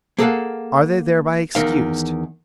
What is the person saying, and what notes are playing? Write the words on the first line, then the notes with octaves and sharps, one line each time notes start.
Are they thereby excused?
A#3 G#4 A4 D#5 F5 F#5
E2 D#3 F5